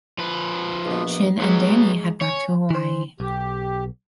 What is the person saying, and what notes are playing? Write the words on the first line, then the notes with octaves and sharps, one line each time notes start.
Chin and Danny head back to Hawaii.
F3 B4
A#1 B2
G#2 F#3 B3
C#4 C#5
E3 C5
B1 G4